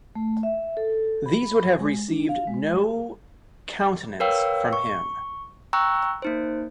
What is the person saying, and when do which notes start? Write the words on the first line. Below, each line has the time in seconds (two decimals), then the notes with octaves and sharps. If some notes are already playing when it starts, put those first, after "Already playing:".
These would have received no countenance from him.
0.15 A3
0.43 E5
0.77 A4
1.26 B5
1.79 G#3
2.08 D4
2.29 F5
2.47 G#3
4.20 A#4 B4 C#5 F5 G5 E6
4.73 C#6
5.73 G5 A#5 C#6 E6 F#6
6.22 A#3 D#4 C5